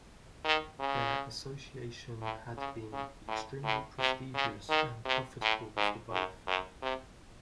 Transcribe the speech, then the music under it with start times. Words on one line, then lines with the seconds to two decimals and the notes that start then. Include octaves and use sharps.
Their association had been extremely prestigious and profitable for both.
0.45 D#3
0.80 C#3
2.22 A2
2.58 C#3
2.93 C#3
3.28 A2
3.64 A2
3.99 C3
4.34 C#3
4.70 D#3
5.05 C3
5.41 A2
5.77 G#2
6.11 F#2
6.47 F#2
6.82 C3